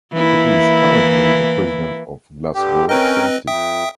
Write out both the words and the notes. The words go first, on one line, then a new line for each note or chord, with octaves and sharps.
He is currently the president of Glasgow Celtic.
E3 A#3 E4
G2 D3 G4
C4 C#4 A#4 B4 D#5 G5
F2 E5 G5 D#6